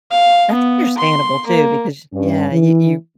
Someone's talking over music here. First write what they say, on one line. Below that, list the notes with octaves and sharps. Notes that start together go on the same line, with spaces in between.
That's understandable, too, because, yeah, you you
F5
B3
C6
A#3
G2 C#4
E3